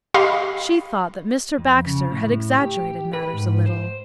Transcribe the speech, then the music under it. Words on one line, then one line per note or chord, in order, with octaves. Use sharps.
She thought that Mr. Baxter had exaggerated matters a little.
G4 D#5 F5 B5 C6
F2
C#3
A2
G4
B4
G#2
C5